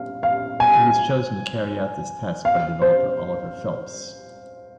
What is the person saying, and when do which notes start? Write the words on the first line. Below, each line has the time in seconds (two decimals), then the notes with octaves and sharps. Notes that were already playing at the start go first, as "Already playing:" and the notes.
He was chosen to carry out this task by developer Oliver Phelps.
Already playing: F5
0.23 F5
0.60 G#5
2.45 F5
2.82 C5